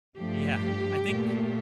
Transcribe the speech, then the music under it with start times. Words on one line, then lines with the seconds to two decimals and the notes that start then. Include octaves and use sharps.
Yeah, I think,
0.17 G2 F3 A3 G4
1.07 A#2 A3